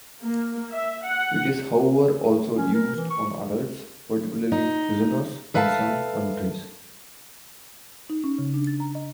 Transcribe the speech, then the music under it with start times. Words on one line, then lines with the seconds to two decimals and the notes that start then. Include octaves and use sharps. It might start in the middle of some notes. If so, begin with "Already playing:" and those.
It is however also used on adults, particularly prisoners in some countries.
0.23 A#3
0.73 E5
1.05 F#5
2.58 C#4
2.74 A#4
2.96 E3
3.10 C#6
4.52 D#4
5.54 A4 B4 E5 F5 G5 A5
8.10 D#4
8.24 C#4
8.38 C#3
8.54 D4
8.67 A6
8.80 A#5
8.95 D#5